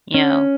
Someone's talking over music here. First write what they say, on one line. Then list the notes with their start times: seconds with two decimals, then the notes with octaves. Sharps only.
you know?
0.14 C#4